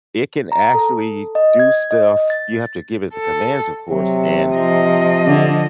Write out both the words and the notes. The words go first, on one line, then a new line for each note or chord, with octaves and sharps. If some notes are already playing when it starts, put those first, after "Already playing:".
it can actually do stuff. You have to give it the commands, of course, and
A#5
A4
D#5
G#6
D#5
A6
A4
C3 F#3
F3 D#5
D3